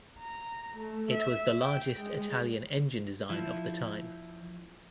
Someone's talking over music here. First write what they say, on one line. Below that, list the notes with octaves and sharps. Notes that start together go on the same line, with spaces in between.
It was the largest Italian engine design of the time.
A#5
A3
E5
G5
G#3
F3 E4